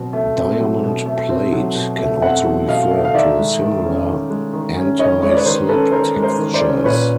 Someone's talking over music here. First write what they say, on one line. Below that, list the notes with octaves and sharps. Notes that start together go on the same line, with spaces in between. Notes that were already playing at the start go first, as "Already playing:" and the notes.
"Diamond plate" can also refer to similar anti-slip textures.
Already playing: B2 F#3 C4
A3
C4
F#3
B2
A3
C4
F#3
B2
A3
C4 E5 F#5
F#3
B2 D#5 F5
A3
F5
D#3 D5 E5
G#3
D#3
C#4
D#3
G#3
D#3
C#4
D#3 C#5 D#5
G#3 C#5
D5
B4 C#5
D#3 A#4 C5
C#4 A4 B4
D#3 A#4 C5
G#3
A#4 C5
D#3
C5 D5
C#4
A#2 B4 C#5